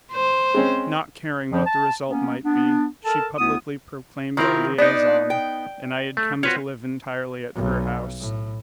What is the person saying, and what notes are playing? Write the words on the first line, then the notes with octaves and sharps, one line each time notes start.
Not caring what the result might be, she publicly proclaimed our liaison, and I had come to live entirely at her house.
C5
G#3 C4 C#4
F2 C#3 F3
A5
A#3 B3 C#4
B3 D4
A4 A#4 A5
D2 B3 E4 D#6
D#3 C4 E4 F4 A#4
B3 D4 D#4
G5
A3
C4 F4 F#4 B4 C#5
B1
A2